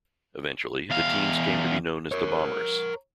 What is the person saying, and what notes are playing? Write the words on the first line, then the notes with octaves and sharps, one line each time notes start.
Eventually, the teams came to be known as the Bombers.
E2 F5
A#4 C#5